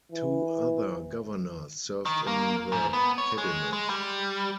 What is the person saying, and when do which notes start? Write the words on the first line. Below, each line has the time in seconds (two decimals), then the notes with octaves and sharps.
Two other governors served in the Cabinet.
0.12 E3
2.05 D#3
2.27 A#3
2.72 G#2
2.93 B3
3.18 C#5
3.38 G#3
3.73 G#3
3.89 G3